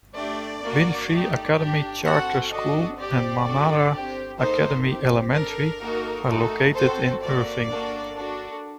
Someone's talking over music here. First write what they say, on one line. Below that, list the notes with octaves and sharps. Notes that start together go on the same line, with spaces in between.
Winfree Academy Charter School and Manara Academy Elementary are located in Irving.
A3 D4 G4 D5
A#3 D4 F#4
A3 D#4 G4
D4 G4
C4 F#4 A4 F#5
D4 F#4 A4 D#5
C4 G4 D5
D4 F#4 A4
C4 G4
A#3 D#4 A4 C5
C4 G4
D4 A4 A#4
A#3 D#4 F#4 A4
A3 D#4 F#4 A4
C4 F#4 A4 C5
A#3 F#4 A4 D5
A#3 D4 F#4 A4
D4 F#4 A4